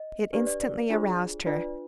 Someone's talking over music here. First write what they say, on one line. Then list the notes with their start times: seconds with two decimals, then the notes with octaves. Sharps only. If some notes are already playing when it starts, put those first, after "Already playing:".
It instantly aroused her.
Already playing: D#5
0.33 D4 G4 B4 D5
0.47 D5
0.62 D5
0.90 D4 F4 G#4 C5
1.46 D4 F4 B4 D5